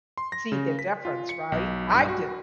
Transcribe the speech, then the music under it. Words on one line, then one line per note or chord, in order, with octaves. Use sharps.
see the difference, right? I didn't.
C6
A#6
C#3
B6
F4
C#7
B1
G2
F#4